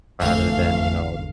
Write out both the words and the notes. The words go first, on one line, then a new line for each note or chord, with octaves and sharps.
rather than, you know,
G#1 E2 D3 E3 A3 F5